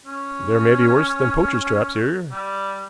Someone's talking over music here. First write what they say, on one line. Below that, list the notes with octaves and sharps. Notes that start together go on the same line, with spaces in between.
"There may be worse than poachers' traps here."
C#4
G3